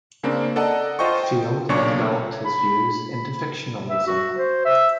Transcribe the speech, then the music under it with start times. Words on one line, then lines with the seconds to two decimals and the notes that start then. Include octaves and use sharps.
Field developed his views into fictionalism.
0.23 C#3 A#3 C4 D4
0.56 A4 D5 D#5 F#5 A5 A#5
0.99 F4 C5 D#5 G5 C#6
1.23 G5
1.69 B1 A#2 C#3 D4 C#5 C#6
2.45 B5
3.89 E5
4.07 F#4
4.37 C5
4.65 E5